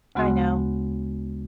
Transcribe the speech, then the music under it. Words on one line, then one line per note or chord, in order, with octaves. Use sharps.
I know,
D2 C#3 G#3 B3 F#4 C6